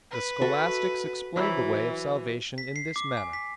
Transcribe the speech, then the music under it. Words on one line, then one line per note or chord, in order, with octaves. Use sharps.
The scholastics explain the way of salvation in this manner.
B4
F#4 A4 E5
E3 F#3 E4 C5
B6
C7
D6
G#5
B6